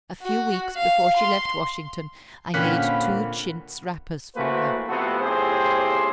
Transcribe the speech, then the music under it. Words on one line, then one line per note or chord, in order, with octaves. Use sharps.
A few weeks before she left Washington I made two chintz wrappers for her.
F#4
F5
C6
A#2 D3 A#3 C4 C#4 F#5 B5
E3 A3 A#3 F#4 B4 C5
F2 C3 A3 B3 F#4 A4
B1 A2 C4 G4 G#4 C5